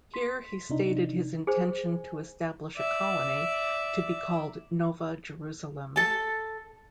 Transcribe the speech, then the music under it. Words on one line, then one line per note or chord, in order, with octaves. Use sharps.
Here he stated his intention to establish a colony, to be called Nova Jerusalem.
C6 B6
C3 D4 D#4
G#4 C5 G#5
D5 E5
A4 A5